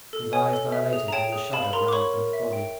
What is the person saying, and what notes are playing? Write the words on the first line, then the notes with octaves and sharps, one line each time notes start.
His eyes dilated and a shudder ran through his body.
A4
C#5 G#5
A4
E5
G#4
A#5
C#5 G5 A5
G#4
F5 A5 B5
B5
A#4 A#5 C6
D6
C#5 B5 C#6
A#4
E5
G5